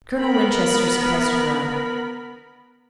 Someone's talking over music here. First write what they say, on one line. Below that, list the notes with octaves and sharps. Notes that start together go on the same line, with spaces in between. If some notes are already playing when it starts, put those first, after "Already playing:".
Colonel Winchester suppressed a groan.
B3 A#4 B5